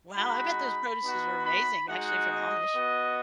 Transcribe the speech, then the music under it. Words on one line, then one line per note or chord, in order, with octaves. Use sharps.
Wow, I bet those produces are amazing actually from the Amish.
G#3 D#4 F#4 B5
B3 D#4 F#4
B5
G#3 D#4 F#4 F#5
D#5
B3 F#4